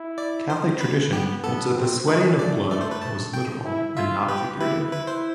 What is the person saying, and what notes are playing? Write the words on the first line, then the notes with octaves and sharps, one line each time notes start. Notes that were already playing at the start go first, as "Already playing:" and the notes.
Catholic tradition holds that the sweating of blood was literal and not figurative.
Already playing: E4
D5
C5
B4
B3 G4
B3 A4
C4
A3 B4
A3 D5
A3 D5
C5
B4
A5
G5
E4
F4 E5
G4 B4
E4 B4
E4 B4
C5